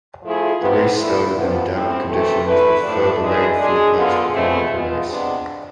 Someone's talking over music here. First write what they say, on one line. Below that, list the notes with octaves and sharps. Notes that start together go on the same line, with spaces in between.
The race started in damp conditions with further rain forecast during the race.
F3 A3 E4 G#4
C3 F3 B3
D3 F3 A3 E4
E2 C3 F3 B3
A2 G#3 C4
C3 E3 A3
D3 A3 E4 B4
A2 F3 A3 D4
E3 G#3 D4 G#4
G#3 D4 G#4
D3 G#3 B3 F4
E2 B2 A3 C4 G#4
G#3 B3 F4
C3 G#3 B3 D4